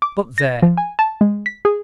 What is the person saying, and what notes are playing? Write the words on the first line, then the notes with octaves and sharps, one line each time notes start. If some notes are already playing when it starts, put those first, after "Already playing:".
But there!
D6
A#6
F3
G#5
A5
G#3
B6
G#4